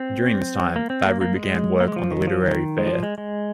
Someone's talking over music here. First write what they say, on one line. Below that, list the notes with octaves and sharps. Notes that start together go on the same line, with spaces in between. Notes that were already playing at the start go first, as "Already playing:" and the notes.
During this time, Fabbri began work on "The Literary Fair".
Already playing: C4
A#3
C4
A#3
A#3
G#3
A#3
G#3
F3
D#3
F3
D#3
G#3
F3
G#3
G#3